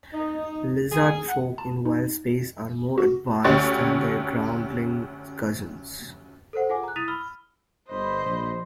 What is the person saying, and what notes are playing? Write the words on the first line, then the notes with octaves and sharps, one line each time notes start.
Lizardfolk in wildspace are more advanced than their groundling cousins.
D#4
G#4
F#5
A5
D#4
F#4
D2 C#4 G4 C#6 A6
A4 A#4 C5 F#5
F4 G#4 F#5 G#5 D6
A#5 F#6
E4 D#6 A6 B6 D#7 F7
B5 E6 F6 G7
G1 C5 D#5 B5
A#1